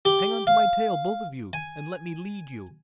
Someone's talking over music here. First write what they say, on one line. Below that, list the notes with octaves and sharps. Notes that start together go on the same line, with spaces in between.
Hang onto my tail, both of you, and let me lead you.
G4
F5
G#5